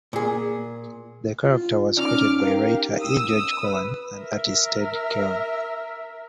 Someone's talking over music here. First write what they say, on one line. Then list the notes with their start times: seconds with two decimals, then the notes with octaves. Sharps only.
The character was created by writer E. George Cowan and artist Ted Kearon.
0.13 A#2 G#4
1.45 F4
1.97 C#4 D#4 D5 D6 F6
2.41 G4 A#4 F5
2.99 D#6 E6
3.64 B4
4.20 A#4 E5